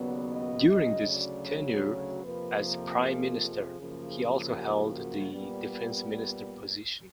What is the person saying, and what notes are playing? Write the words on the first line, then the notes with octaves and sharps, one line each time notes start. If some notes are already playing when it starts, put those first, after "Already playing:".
During this tenure as prime Minister, he also held the Defense Minister position.
Already playing: D#2 C#3 F#3 B3 D5
D#5
D2 C#3 F#3 D#5
D5
C#5
F2 C3 F3 A#3 B4
A#4
G#4
G#4
F#2 C#3 F3 A#3
G4
F#4
A#2 G3 B3